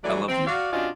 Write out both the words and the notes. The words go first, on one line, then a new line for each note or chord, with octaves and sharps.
I love you.
E3 F#3 G#3 A3 D5
C4
F#4 D5 F5
C3 C#4 D4 F4 F#4 D#5